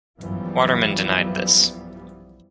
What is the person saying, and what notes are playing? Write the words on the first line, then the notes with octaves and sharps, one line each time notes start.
Waterman denied this.
F#2 E3 F3 G3 B3